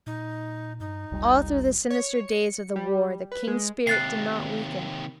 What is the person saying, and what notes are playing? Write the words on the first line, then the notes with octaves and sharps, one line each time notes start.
All through the sinister days of the war the King's spirit did not weaken.
A#2 D#4
G2 D#4
F1 C2 G3
C#5
C#7
G3
B4
G#3
D#2 C3 F#6 A6 C7